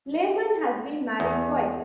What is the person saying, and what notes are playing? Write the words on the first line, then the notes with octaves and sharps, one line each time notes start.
Lemann has been married twice.
E2